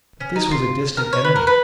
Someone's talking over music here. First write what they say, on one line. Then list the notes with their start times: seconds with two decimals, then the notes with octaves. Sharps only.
But this was a distant enemy.
0.20 C#4
0.36 D#4
0.51 F4
0.97 A#4
1.13 C#5
1.25 B4
1.36 A#4
1.47 B4